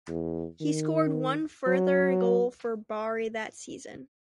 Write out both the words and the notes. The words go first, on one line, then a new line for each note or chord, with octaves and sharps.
He scored one further goal for Bari that season.
E2
D#3
F#3